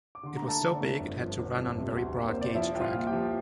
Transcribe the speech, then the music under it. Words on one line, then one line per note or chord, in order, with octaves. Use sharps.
It was so big it had to run on very broad gauge track.
D6
D3 C6
A#5
A3
A4 A5
D3 C5
D5
A3
G1
F3
G1
F2
C3
D2
A#3
C5
C3
D5
F3 E4 E5
C2 G5
F4 F5
A#2
G4 G5
F3